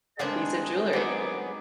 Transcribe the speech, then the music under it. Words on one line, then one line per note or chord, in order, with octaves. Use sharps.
that piece of jewelry."
G2 C#3 G#3 C4 D4 G#4
D#2 G#2 F#3 B3 D#4 D6